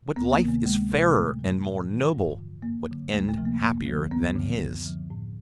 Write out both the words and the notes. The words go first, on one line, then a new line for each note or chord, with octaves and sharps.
What life is fairer and more noble, what end happier than his?
D2 B3
A#3
C3 D#3
A#3
D2 G#3
C3 E3
A2 A3
F#3
A2
E3
G2
D3 F3
F#2 A#3
D3 F#3
D2 A3
A3
C3 F3
A#3
F#2 A#3
D#3 F#3
D2 B3
D3 F3
F#2
D3 F3
A2